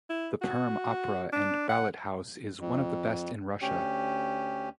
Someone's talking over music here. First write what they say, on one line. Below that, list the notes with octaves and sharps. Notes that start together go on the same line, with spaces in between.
The Perm Opera and Ballet House is one of the best in Russia.
E4
F#4
D4
F#5
F2
D2 C#4 G4